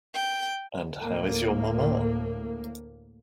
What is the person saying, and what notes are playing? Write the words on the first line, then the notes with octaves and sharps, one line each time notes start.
And how is your mama?
G5
D2 A2 A#3